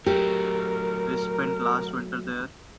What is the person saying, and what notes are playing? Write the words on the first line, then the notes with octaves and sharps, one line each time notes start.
We spent last winter there.
F#3 A3 G4 A#4